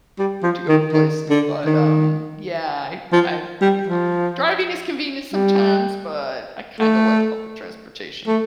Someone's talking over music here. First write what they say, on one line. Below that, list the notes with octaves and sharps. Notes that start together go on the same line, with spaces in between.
to go to places, but, um, yeah, I I, you know, driving is convenient sometimes, but I kinda like public transportation.
G3
F3
D#3
D#3
D3
D#3
F3
G3
F3
G3
A3
A3